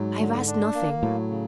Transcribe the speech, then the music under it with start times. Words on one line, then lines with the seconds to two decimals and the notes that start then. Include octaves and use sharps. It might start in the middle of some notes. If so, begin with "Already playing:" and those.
I have asked nothing.
Already playing: G#2 F#3
0.19 D3
0.47 D4
0.74 A#3
1.02 A2 F#3
1.30 C#3